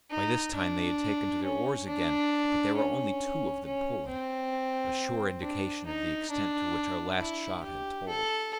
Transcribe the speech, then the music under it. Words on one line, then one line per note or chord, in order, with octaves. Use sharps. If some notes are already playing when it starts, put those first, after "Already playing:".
By this time they had taken to their oars again, but there were only two of them pulling: a sure indication of the extent to which our last shot had told.
D#4
D4
C#4
D4
C#4
C#4
C4
D4
D#4
D4
E4
G4
A4